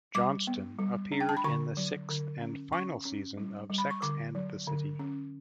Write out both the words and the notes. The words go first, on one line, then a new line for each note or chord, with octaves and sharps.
Johnston appeared in the sixth and final season of "Sex and the City".
G3 D6
B3
G3
D4
G5
A5
B5
D3 C#6
F#3
D3
C#4
C#4 C#6
C#4
G3
G3
B5
C#6
D3 D6
F#3
D3
C#4